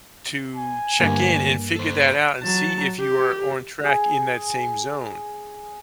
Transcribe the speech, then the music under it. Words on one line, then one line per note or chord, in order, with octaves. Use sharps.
to check in, and figure that out, and see if you are on track in that same zone,
G#5
D2 G2 A#3
A4 C5
F#3 A5
G4
G#4 G#5